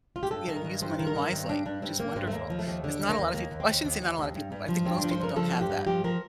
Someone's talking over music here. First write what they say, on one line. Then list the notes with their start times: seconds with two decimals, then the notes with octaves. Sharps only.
you know, use money wisely, which is wonderful. There's not a lotta people I shouldn't say not a lotta people, but I think most people don't have that.
0.16 F4
0.23 G4
0.30 G2 A4
0.48 D#3
0.56 A#4
0.64 G2
0.82 G2 C5
0.99 D#3
1.07 A#4
1.16 D#3
1.32 G2 C4
1.49 G2 D4
1.65 G2 D4
1.82 G2 C4
1.99 G2 A#3
2.16 G2 C4
2.27 A3
2.33 D#2 A#3
2.50 F3
2.59 A3
2.67 D#2
2.84 D3
3.00 D#2
3.09 A#3
3.18 D#2
3.34 D#2 A#3
3.51 D#2
3.60 C4
3.68 D#2
3.85 D#2
4.02 D#2
4.18 D#2
4.35 G2
4.52 G2
4.69 F3
4.85 G2 C4
4.99 F3 D4
5.11 C5
5.20 G2 A#4
5.36 F3 A4
5.52 G2 F4
5.61 G4
5.70 G2
5.87 F3 G4
6.04 F3 A#4